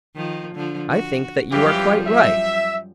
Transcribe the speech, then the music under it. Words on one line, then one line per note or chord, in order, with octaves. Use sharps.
I think that you are quite right.
D#3 F3
D3 F3
F#4
F#2 E3 F3 G3 F4 G4
E5